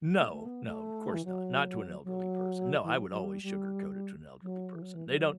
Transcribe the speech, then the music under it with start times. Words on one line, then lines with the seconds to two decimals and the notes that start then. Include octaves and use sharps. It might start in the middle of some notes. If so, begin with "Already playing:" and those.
No, no, of course not, not to an elderly person, no, I would always sugarcoat it to an elderly person. They don't
0.18 A3
0.31 A3
0.45 B3
0.65 A3
1.13 E3
1.24 F#3
2.03 F#3
2.82 E3
2.96 F#3
3.09 F#3
3.23 G3
3.42 G3
4.42 F#3
4.74 E3
4.81 F#3
4.94 E3
5.08 F#3